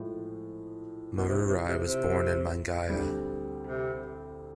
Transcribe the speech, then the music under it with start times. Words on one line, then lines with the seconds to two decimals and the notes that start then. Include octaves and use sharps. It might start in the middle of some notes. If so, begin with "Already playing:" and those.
Marurai was born in Mangaia.
Already playing: A2 F3 G#3
1.17 B2
1.28 C3
1.48 C3
1.68 C3
1.87 C3
2.88 D2 D3 G3 C4
3.67 C3